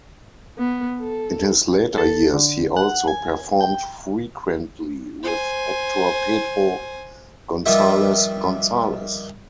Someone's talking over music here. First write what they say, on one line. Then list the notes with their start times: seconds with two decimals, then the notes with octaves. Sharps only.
In his later years he also performed frequently with actor Pedro Gonzalez-Gonzalez.
0.58 B3
1.00 A4
1.98 A4
2.34 D3
2.77 F#5
3.08 G#5
3.61 G5
5.23 C5 G#5
7.66 G2 D#3 F3 F4 G4 E5